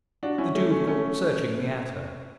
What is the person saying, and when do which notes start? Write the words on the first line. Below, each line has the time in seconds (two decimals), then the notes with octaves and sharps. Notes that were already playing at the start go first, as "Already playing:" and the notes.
The Duke looked searchingly at her.
0.23 D4 F#4
0.38 C#4 E4
0.55 A3 C#4
0.71 A3 C#4
0.87 A3 C#4